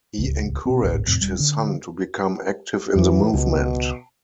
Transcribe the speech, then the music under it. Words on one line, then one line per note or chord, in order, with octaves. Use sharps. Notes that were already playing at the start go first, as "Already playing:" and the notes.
He encouraged his son to become active in the movement.
D1 C#2
B2 C4
G#1 D2 A2
F2 A2 C3
D#1 G3
D3 C#4
F2 E3
C#2 B2